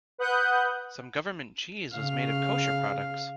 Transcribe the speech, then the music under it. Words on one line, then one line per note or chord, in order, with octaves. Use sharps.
Some government cheese was made of kosher products.
B4 F#5 D#6 F#6 G6
C#3 F5